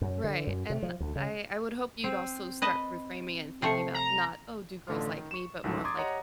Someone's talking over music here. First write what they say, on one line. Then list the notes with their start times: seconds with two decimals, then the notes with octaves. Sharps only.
Right, and I I would hope you'd also start reframing and thinking about not, "Oh, do girls like me?" but more of, like,
0.02 F#2
0.24 D3
0.47 F#2
0.70 C3
0.83 F3
1.00 D2
1.16 C#3
2.04 C4 D#7
2.62 B4 D#5 A5
3.62 C3 F3 A3 C7 C#7
3.94 A#5
4.87 A1 D3 A3 F4 F6
5.17 D#3
5.31 C#6 E7
5.64 A1 D2 G#2 D#3 F#3 A3
5.84 A#5 C6 D6 D#6 G#6 A6
5.97 G4 C#5 D#5 F#5 A#5